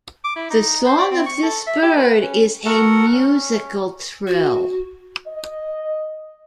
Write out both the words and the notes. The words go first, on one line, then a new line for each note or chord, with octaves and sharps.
The song of this bird is a musical trill.
D6
E4
D#4
C5
D5
C4
C#6
A4
E5
G4
B4
C#4
F#4 A4 A#4 F#5
C#4
F#4
D#5